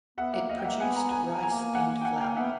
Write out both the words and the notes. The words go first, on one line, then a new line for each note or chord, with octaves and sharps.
It produced rice and flour.
B3 E5 F#5
A#3 E5 F#5
D#5 F5
G5
A#3 E5 F#5
B3 F#5 G#5
G#5 A#5
G#5 A#5
A#3 G#5 A#5
F#5 G#5
G5
A#3 F#5 G#5
F5 G5
B3 E5 F#5